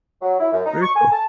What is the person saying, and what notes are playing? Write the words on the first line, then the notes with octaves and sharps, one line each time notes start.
Very cool.
F#3
E4
F#2
D#4
C#6
G#5
A5